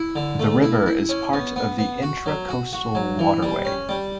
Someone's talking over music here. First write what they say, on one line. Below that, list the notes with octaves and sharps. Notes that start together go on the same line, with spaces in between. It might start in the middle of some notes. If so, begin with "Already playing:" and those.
The river is part of the Intracoastal Waterway.
Already playing: E4
D3
A3
E4
E4
C#4
B3
B3
B3
F#4
F#3
F#4
F#4
F#3
E3
G3
C#4
G3